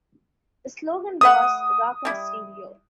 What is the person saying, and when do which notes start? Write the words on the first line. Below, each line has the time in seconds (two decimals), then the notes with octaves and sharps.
The slogan was Rock 'N Stereo.
1.21 A3 B4 F#5 D#6
2.05 G3 E4